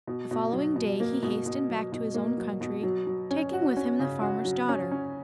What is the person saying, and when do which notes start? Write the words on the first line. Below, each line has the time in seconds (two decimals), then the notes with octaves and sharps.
The following day he hastened back to his own country, taking with him the farmer's daughter.
0.07 B2
0.31 B2
0.53 F#3
0.76 B2
1.00 A#3
1.23 B2
1.46 B2
1.69 F#3
1.92 B2
2.14 A#3
2.37 F#3
2.61 B2
2.83 F#3
3.07 F#3
3.31 C#4
3.53 F#4
3.77 C#4
3.99 C#3
4.22 F#4
4.45 F#3
4.69 C#4
4.91 C#4